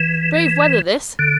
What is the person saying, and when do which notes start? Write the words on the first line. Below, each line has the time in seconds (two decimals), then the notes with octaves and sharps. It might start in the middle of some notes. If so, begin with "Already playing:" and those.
Brave weather this!
Already playing: E3
1.19 D3